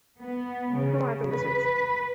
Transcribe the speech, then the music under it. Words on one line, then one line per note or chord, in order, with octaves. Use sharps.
Who are the Wizards?
B3
C#3
B4